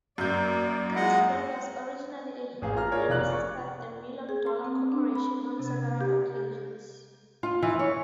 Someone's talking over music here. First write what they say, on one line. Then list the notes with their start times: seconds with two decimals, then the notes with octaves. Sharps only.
Canterbury was originally a heel, and assisted the Million Dollar Corporation on several occasions.
0.18 F#2 A#3 D5 G6
0.96 G#3 D#5 F#5
2.62 A1 G#4 F5
2.76 F4 A#5 F6
2.92 F4 G#4 A#4 C#5 D5
3.09 F1 F4 D5 F#6 F#7
3.30 D5 C#6
4.29 G#4
4.46 C6
4.64 C4
4.92 D4
5.15 B5
5.59 C3
6.01 G4
7.43 F4
7.62 E3
7.79 C#5